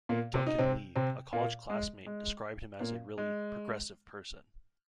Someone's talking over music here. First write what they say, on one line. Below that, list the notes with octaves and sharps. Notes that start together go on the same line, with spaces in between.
Duncan Lee, a college classmate, described him as a really "progressive person".
A#2 A#3
C3 C4
D#4
C3 C4
C3 C4
A#2 A#3
G#3
G#3
A#2 A#3
G#3